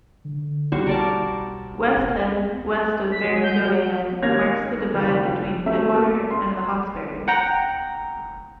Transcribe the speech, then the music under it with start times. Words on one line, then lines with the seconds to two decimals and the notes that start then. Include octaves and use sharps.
West Head, west of Barrenjoey Head, marks the divide between Pittwater and the Hawkesbury.
0.25 D3
0.72 B1 G3 F#4 C5
0.87 A#4 D5 A5
3.12 B6
3.24 F#3
3.44 G6
3.59 F#3
4.22 D#2 A#3 C#5 G#6 A#6 F7
4.94 F#1 D#2
5.66 F#3 A3 E5
5.94 A#3
6.31 C6
7.28 F#5 G5 A#5